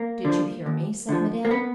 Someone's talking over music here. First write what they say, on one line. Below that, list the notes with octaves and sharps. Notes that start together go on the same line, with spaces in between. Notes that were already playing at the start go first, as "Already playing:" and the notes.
"Did you hear me?" said Madame.
Already playing: A#3
D3 F3
D#2
D3 F3
A#3
B3